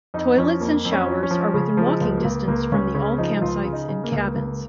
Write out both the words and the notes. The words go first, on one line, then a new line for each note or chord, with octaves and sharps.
Toilets and showers are within walking distance from the all campsites and cabins.
F2 D#4
F3 C#4
F2 A#3
F2
C#4
F3
C#4
F3
C#3 C#4
F3
G#3
C#2
A#3
C#2
C#2 A#3
C#2 C#4
C#3 C#4
F3 D#4
C#2 F4
C#3
D#4
C#3
A#3
C#2
C#2